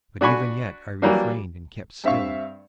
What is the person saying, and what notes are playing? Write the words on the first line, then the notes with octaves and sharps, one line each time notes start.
But even yet I refrained and kept still.
D4 F#4 G#5 B5 C#6
E3 F#3 G3 A#3 D4
G2 C4 E5 F5 C#6